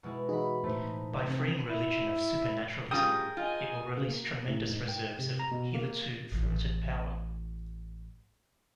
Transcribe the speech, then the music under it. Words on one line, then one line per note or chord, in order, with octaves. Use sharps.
By freeing religion of supernaturalism, it will release tremendous reserves of hitherto thwarted power.
B2 G#3 E4
E3 D#4 F#4 G#4 B5
A2 A3 D#4 C5 B5
C3 C4
E4
G3 C#4 F4 G#4 A#4 G5 D#6
F4 D#5 G#5
C#3
A#3
A2
G#2
G5
C3
A#5
B2
A#3
A1 A2